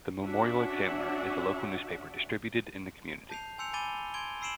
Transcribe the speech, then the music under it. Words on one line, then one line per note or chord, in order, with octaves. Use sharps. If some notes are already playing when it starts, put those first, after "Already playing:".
The "Memorial Examiner" is a local newspaper distributed in the community.
C#4 D4 F#4 D5 E5 F#5
A5 G6 C7 F7
G#5 C6 E6 G6 C#7 F7
G#5 B5 D6 A6 D#7 G7
C6 G#6 D7 G7
B5 E6 C7 D7 E7 F#7